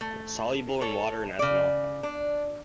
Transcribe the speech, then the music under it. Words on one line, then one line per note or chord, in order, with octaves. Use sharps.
Soluble in water and ethanol.
A3
A4 C#5
C#3 D5
D4